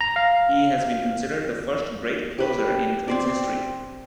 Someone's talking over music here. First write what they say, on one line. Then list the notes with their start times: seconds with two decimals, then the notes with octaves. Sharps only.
He has been considered the first great closer in Twins history.
0.01 A#5
0.16 F5
2.38 G4 B4
3.08 C4 C5 D5